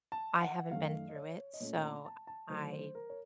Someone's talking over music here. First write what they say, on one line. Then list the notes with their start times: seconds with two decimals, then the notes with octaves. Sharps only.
I haven't been through it, so I
0.12 A5
0.42 F#5
0.71 F#2 D#3 A3 F5
1.08 D#5
1.16 C#5
1.54 D#5
1.60 A#2 A3 C#4 C#5
1.83 A#5
2.05 A5
2.27 A5
2.50 D#3 F#3 A3 C5
2.72 C5
2.95 A#4
3.10 C#5